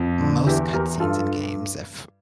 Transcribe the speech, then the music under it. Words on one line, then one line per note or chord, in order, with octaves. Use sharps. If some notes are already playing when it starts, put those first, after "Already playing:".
Most cut scenes in games, if
Already playing: F2
D3
E2 E4 G4
E2 G4 A#4
G2 F4 A4